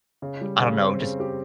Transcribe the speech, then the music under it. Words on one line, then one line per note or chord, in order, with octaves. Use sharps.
I don't know, just
C#3
G3
C#3
C4
C#3
G4